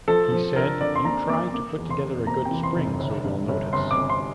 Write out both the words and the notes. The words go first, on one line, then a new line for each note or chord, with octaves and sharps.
He said: You try to put together a good spring so they'll notice.
F3 A4
F3
D3 A#4
D3 D5
C6
A#3 A#5
A#3 D6
A#3 D6
E2
C6
F1
A#3 A#5
G5
E3
C6
F1
G1
G2
G1
G1 C6
D6
G1
C6